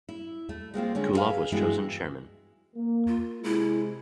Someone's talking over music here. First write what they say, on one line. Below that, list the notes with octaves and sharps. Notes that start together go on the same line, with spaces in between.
Kulov was chosen Chairman.
E4
A3
G#3 A#3 C4 F4
D3 G#3 A#3 C#4
E4 G#4 A4 B4 F5
G2 E3 G#3 B3 E4 F#4
A#3
F4
C3 G#3 E4